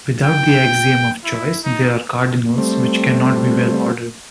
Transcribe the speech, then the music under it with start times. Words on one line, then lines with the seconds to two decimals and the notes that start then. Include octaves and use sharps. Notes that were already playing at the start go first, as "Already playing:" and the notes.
Without the axiom of choice, there are cardinals which cannot be well-ordered.
0.23 G5
1.24 E4
1.64 D#4
2.58 G3 A3 C4